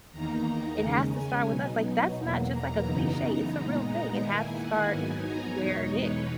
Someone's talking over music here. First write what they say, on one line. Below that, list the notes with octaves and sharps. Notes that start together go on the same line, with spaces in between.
it has to start with us. Like, that's not just, like, a cliche, it's a real thing. It has to start where it is.
E2 D#3 A#3 D#4 A#5
C#3 G#3 C#4
G#5
B2 F#3 B3 D#4
E2 B2 F#3 A#3
A#5
F#2 C#3 E3 B3 D#4
A#5
A#2 G#3 B3 D#4
D#3 A#3 E4 G#5
F#5
G#2 F#3 B3 D#4 G#5
A#5
E2 B2 G#3 D#4 C#5
B4